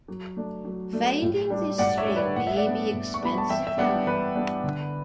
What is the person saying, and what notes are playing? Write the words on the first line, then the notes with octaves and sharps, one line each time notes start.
Finding this string may be expensive, however.
F#3
A3 D4
F#3
A3 D4
A2
G3 D4
A2 D5 F#5
C#5 E5
G3 D4
B4 D5
A2 F#5
E5
D5 F#5
G3 B3 D4
A2
C#6
G3 B3 D4 B5
A5
E3 E5 G5
E5
G3 B3 D4 D5 F#5
E3 B4
G3 B3 D4
D3